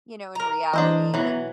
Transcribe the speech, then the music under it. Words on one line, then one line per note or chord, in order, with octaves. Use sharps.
you know, in reality with
A#4 A#5
E3 D4 C5 D#5
B2 E3 F#3